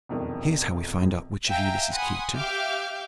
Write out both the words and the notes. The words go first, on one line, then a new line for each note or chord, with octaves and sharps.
"Here's how we find out which of you this is keyed to."
E1 C2 F2 D#3
E5 F5 G5 G#5 A#5
F#5 G#5 B5 C6 D#6
G4 E5 F5 D6 F6 G6